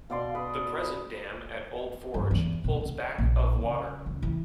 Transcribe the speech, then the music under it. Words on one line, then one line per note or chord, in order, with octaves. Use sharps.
The present dam at Old Forge holds back of water.
B2 D5 F5 C6
B4 D#6
G2
E2
B2
D3
A#1
C#3
C#2
E3